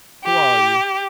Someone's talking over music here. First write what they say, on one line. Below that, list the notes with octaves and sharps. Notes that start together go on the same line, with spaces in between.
"Who are you?"
G4